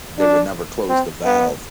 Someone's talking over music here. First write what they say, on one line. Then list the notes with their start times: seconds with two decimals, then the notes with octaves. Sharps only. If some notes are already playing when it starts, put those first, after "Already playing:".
they would never close the valve,
0.19 D4
0.90 C4
1.25 B3